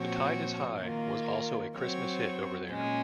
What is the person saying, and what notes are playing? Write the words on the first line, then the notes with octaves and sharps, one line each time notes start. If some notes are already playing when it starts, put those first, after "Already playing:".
"The Tide Is High" was also a Christmas hit over there.
Already playing: A#2 F3 C4 F#4 C#5
D#3 A#3 F4 A#4
F#3 C4 F#4 C#5
A#2 G#3 C#4